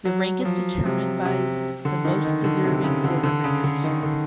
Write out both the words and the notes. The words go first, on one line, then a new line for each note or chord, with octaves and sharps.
The rank is determined by the most deserving order members.
F#3
F#3
F3
C3
C3
D3
D#3
D#3
D3
C3
C#3
D3
D3
C#3
D3
D#3
D3